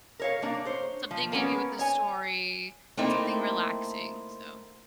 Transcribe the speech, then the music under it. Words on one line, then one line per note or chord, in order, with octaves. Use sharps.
something maybe with a story, something relaxing, so
A#4 C#5 F5
A#3 D4
C5 C#5
F3
A#3 B3 C#4
C#5 G#5
A3 A#3 C4 D#4 E4